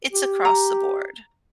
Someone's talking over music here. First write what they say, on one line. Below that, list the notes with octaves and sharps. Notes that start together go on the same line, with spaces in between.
it's across the board.
G4
A#5